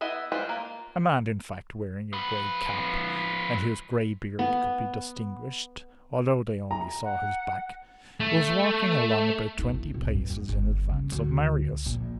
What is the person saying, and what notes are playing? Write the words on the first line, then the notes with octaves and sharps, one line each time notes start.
A man, in fact, wearing a gray cap, and whose gray beard could be distinguished, although they only saw his back, was walking along about twenty paces in advance of Marius.
B3 E4 D#5 E5
G3 G#3 F4 B4 C5
A#3 F4
F3 B4
B3
A#5
F#5
A3
D#4
E4
C2
G2
F2
G1
C#3
D2
A#1